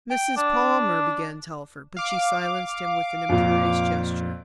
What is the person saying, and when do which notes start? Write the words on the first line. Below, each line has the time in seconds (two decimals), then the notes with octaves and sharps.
"Mrs. Palmer," began Telford, but she silenced him with an imperious gesture.
0.10 G5
0.37 D4
1.97 F5 D6
3.29 F2 A#2